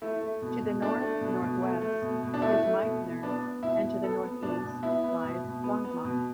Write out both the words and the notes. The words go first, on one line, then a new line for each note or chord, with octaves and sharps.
To the north-northwest is Meitner, and to the northeast lies Langemak.
A3 E4
A3
B2
B2
A3 D4
A3
B2
B2
A3
A3
B2
B2
D4
A3 E4
A3
B2
B2
B3 D4
B3
B2 E4
B2
B3 A4
B3
B2 D4
B2
B3 E4
B3
B2
B2
B3
B3
B2